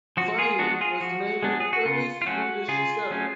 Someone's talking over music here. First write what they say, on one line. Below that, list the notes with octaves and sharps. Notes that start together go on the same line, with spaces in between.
Viding was the name of an early Swedish settler.
F3 F#4
F4 G#4
G#3 B3 D4 F#4
F4 G#4
F3 F#4
G#3 B3 D4
G#4
F#4
C#3 F4
F4
F#3 A3 C#4 F#4
C#3 F4 G#4
F#3 A3 C#4